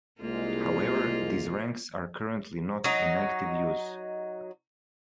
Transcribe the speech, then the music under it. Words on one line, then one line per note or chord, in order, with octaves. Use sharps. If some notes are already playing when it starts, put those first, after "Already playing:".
However, these ranks are currently not in active use.
C2 G#3 A#3 F4
F#3 D#4